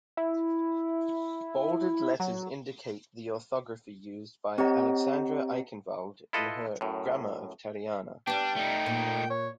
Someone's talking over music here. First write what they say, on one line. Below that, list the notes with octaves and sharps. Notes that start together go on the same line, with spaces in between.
Bolded letters indicate the orthography used by Alexandra Aikhenvald in her "Grammar of Tariana".
E4
F#3
C4 G4 C#5 D#5 F#5 A#5
E4 F4 A4 B4 D#5
F#2 A2
G3 B3 D4 G5
A3 D#4
A#2
C#5